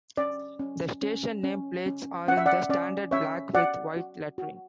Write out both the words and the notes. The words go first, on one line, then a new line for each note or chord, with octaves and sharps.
The station name plates are in the standard black with white lettering.
C#4 D5
C#4
C#4
C#4
C#4
C#4 F#5
E5
D5 F#5
C#4 D5
C#4 C#5 E5
F#4 D5 F#5
F#4
F#4